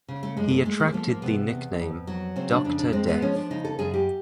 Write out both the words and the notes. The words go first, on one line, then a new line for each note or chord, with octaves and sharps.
He attracted the nickname "Doctor Death".
C#3
A3
F#2 G#3
A3
G#3 A3
A3
A#3
F3 A3
A#3
C3 B3
E2
F2
F#3
C#3 C4
D4
F2 D4
D4
G#3 C4
B3
F3 C#4
D4
C#3 D#4
A4
F#2 G#4
G4